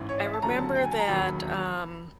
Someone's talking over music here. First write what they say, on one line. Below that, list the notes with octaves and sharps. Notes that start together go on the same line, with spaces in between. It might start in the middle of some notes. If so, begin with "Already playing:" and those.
I remember that, um
Already playing: A1 G#2 E3
C#5
D5
E5
A5
D#2 D3 F#3 A#5
A5
G5
G#5
A5
A#5
E1 D#2 D#3 F#3 B5